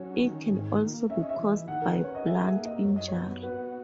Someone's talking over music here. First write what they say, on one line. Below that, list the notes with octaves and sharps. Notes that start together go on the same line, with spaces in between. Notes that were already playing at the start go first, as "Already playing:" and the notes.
It can also be caused by blunt injury.
Already playing: F#3 C#4 C#5
D#3
G#2
A#3
C#4 E5
D#5
E5
E3
D#5
D#3 F#5
A#4
B4
C#4
C#5
D#5
G#4 E5
E5
A#3
D#5
F#2 C#5
D#5
C#5
B3
F#4 B4